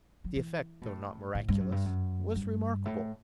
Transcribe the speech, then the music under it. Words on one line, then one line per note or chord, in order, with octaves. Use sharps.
The effect, though not miraculous, was remarkable.
F#3
E3
B2
A2
A2
G2
F#2
G2
F#2
G2
A2